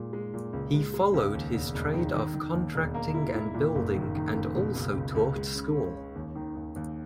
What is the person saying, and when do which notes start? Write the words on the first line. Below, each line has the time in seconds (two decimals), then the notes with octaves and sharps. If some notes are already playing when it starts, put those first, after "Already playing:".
He followed his trade of contracting and building and also taught school.
Already playing: A#2 G#3
0.13 G#3
0.34 A#2
0.53 C#2
0.74 G#3
0.94 G#3
1.14 C#2
1.34 D#2
1.54 E1
1.74 E1
1.94 D#3
2.14 D#3
2.34 D#3
2.54 D#2
2.75 E1
2.94 A#3
3.14 E4
3.35 E4
3.54 A#2
3.75 F#1
3.95 D#3
4.15 D#3
4.35 F#1
4.55 B2
4.74 C#2
4.95 C#2
5.15 C#2
5.36 G#3
5.55 C#3
5.75 C#4
5.96 C#4
6.15 D#2
6.35 D#3
6.56 D#2
6.76 D#2